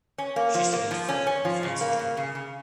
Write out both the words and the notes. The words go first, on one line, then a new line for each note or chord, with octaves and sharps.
She studied further in France and Germany.
C#4
A#3
F3
A#3
F3
C#4
C#4
F3
C#3
A#3
C#3
C#3
C#3